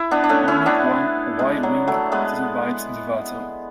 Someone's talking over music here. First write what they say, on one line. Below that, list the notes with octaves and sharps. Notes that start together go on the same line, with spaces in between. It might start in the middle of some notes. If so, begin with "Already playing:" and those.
Only one Y-wing survives the battle.
Already playing: E4
B3 D4
D4
A3 C#4
C#4 E4
B3 D4
G#3
F#3
F#3 A3
G#3 B3